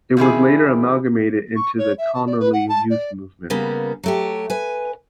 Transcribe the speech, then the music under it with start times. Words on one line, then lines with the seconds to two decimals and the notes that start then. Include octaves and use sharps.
It was later amalgamated into the Connolly Youth Movement.
0.17 F2 D#3 E4 G#4
1.56 C#6
1.78 C#5
1.98 E5
2.14 A5
2.26 D5
2.39 B4
2.53 F#5
2.68 A5
2.90 D5
3.50 C#3 G3 A#3 B3
4.04 F#3 A3 G4
4.50 B4 G#5